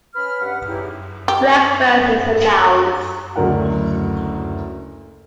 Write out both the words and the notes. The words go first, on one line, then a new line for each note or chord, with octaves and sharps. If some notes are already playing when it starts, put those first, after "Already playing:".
Breakfast is announced.
C#4 B4 B5 F6
G2 B4 F#5
C#3 E3 D#4 E4 G4
G4
F#1 D2 F#3 D4 A#4 F#5